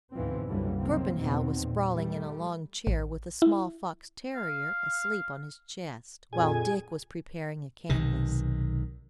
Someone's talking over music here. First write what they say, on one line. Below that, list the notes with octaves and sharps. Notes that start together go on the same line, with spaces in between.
Torpenhow was sprawling in a long chair with a small fox-terrier asleep on his chest, while Dick was preparing a canvas.
D2 G#2 B2 E3 F3 C4
C2 F#2 D3 E3 G3 A#3
F#2 C3 D#3 A#3 C4
E2 B2 D#3 C4
A#2
G3 A3
A1
E4
F5
F2 A#2 G#4 G#5
B1 C3 D#3